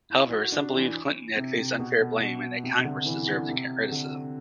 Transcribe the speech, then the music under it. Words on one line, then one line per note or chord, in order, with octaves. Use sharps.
However, some believed Clinton had faced unfair blame, and that Congress deserved the criticism.
E4
F#4
D4
E3
C3
C3
B2
B2
B2
C3
C3
D3
E3
D3
C3
D3